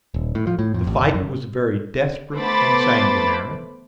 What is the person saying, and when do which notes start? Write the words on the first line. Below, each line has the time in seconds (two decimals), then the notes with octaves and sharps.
The fight was very desperate and sanguinary.
0.14 D#1
0.35 A2
0.47 F3
0.59 A2
0.74 F2
0.87 A1
1.01 F#1
1.14 F#2
2.36 A3 B3 C5 B5 D6 A6